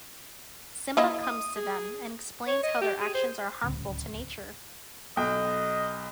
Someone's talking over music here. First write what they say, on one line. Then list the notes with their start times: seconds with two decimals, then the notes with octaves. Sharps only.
Simba comes to them and explains how their actions are harmful to nature.
0.97 A#3 E4 D#5
1.23 D#6
1.56 G#4
2.47 C#5
2.63 D#5
2.81 G4
3.00 G#4
3.14 C5
3.64 D1 C#2
5.17 B1 D#5 G5